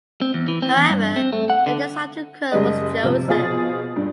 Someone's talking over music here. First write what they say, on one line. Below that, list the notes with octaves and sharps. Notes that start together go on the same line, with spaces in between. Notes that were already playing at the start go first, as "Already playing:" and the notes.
However the design of the curl was chosen.
C4
E2
E3
C4
E2
G2
C4
A3
F#5
D3
F#1 G3 G#3 D#5
C3 F3
B2 F3 F4 G#4 D#6 A6
G2